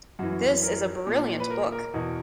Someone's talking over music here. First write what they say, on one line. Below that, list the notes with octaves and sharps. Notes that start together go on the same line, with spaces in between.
This is a brilliant book.
F#2 E3 F#4
A#4
A#2
B4
A#4
A#4
E2 B2